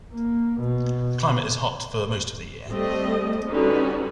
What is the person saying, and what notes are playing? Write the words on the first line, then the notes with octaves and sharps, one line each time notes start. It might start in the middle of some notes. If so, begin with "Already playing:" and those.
The climate is hot for most of the year.
A#3
B2
G3 A3 C4 D#5
D3 G3 C#4 D#4 F#4 B4